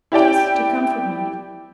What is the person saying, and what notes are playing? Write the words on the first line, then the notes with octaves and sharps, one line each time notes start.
Just to comfort me.
E4 G4 D5 G5